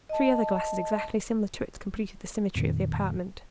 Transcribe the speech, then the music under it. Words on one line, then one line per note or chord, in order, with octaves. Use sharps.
Three other glasses, exactly similar to it, completed the symmetry of the apartment.
D#5 A5
F2 A#2 D#3